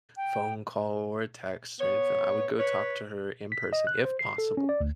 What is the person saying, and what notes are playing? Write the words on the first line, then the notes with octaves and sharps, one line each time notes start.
phone call or a text or anything, I would go talk to her in person, if possible,
G5
B3 C#5
B4 C#5
B6
D#5
F#6
C5
C7
A4
C#4
D5
D2